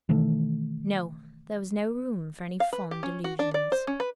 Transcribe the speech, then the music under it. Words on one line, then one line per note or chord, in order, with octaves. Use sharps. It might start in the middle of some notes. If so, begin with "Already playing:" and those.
No! there was no room for any fond delusions!
B2 D#3 E3 A3
F5
B4
G4
C#4
F#4
D4
D5
C5
C#4
B4